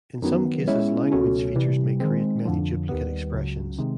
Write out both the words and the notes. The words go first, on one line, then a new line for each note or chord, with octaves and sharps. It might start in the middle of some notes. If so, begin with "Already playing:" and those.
In some cases language features may create many duplicate expressions.
F#2 D#3 F#3 B3
B2 G#3 C#4 E4
C#2 B2 F#3 A3 C#4
C2 C3 E3 G3
D#3 G#3 C4
F2 D3 F3
D#2 D#3 G3 B3
C#2 C#3 F#3
C3 D#3 G#3